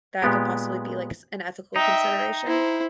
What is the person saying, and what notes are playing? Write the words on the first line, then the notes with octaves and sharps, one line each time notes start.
that could possibly be, like, s an ethical consideration.
A#2 G#3 B3 G4
D#4 E5 G5
E4 C5